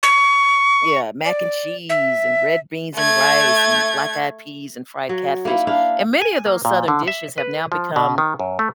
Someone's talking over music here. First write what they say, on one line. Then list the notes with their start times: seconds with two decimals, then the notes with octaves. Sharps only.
yeah, mac and cheese, and red beans and rice and black eyed peas and fried catfish. And many of those Southern dishes have now become
0.03 C#6
1.25 D5
1.89 E5
2.95 A3 G#6
5.09 F#3
5.45 A#3 D#4 E4
5.67 D4 E4 F5
6.22 G#5
6.46 A#3
6.65 A#2
6.88 D3
7.08 E5
7.38 B4
7.72 F3
7.96 B2
8.18 D#3
8.39 F#2
8.59 A3